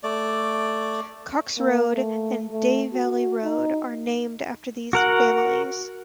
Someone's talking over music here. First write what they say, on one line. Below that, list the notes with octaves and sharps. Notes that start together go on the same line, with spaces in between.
Cox Road and Day Valley Road are named after these families.
A3 D5
A#3
A3
A3
F#4
D#4
F#4 A#4 F#5